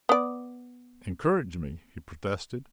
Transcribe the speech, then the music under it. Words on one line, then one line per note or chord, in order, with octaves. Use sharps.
"Encouraged me!" he protested.
B3 D5